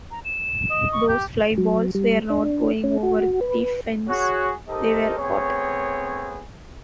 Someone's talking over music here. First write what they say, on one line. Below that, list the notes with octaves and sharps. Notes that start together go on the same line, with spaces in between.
Those fly balls were not going over the fence, they were caught.
A#5
E7
D#5
C#6
G4 G6
F#3
G3
D4
C#4
F#4
B4
F#4 G#4 C#5
D#4 G4 A4 A#4 C5 D#5
A3 B3 C4 G#4 C#5